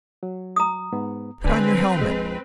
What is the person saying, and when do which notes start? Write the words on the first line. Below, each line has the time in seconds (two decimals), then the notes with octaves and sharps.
"Put on your helmet!"
0.23 F#3
0.56 A#5 D#6
0.92 G#2 B3
1.44 D3 C4 D4 B4 G#5
1.99 A#1 F2 G#3